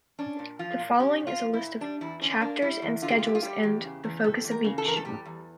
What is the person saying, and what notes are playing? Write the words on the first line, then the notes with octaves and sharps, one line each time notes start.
The following is a list of chapters and schedules and the focus of each.
C#4 D4
A#2
F3 F4
A#2
C#4 G4
A#2
F4
F3
E4
A#2
G3 D4
E2 E4
D3 C#4
A#3 D4
G3 E4
E2
D3 F4
G4
F4
A#3 G4
F4
G3 G4
E2
C#3
E2
G3 A4
E2
A#4
C#3
A4
E2 A#4
A4
G3 G4
E2